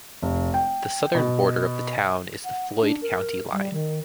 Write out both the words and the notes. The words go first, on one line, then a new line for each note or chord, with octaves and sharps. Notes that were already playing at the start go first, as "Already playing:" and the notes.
The southern border of the town is the Floyd County line.
F1
G5
B2
F#5
D4
A#4
G3
D#3